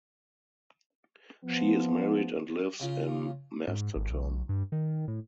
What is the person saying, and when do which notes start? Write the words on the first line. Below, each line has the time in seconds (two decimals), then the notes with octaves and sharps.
She is married and lives in Masterton.
1.44 F3 B3
2.80 C#3 F4
3.68 G#2
3.96 G#1
4.10 B1
4.49 G2
4.72 D#3
5.08 A2